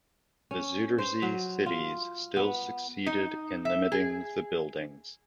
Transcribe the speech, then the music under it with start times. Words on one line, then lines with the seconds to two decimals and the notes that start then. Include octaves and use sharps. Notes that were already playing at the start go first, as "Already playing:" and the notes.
The Zuiderzee cities still succeeded in limiting the buildings.
0.51 C#4
0.98 C5
1.22 F#3
1.66 F4
2.36 B3
3.06 D#4
3.65 E5
3.92 G#4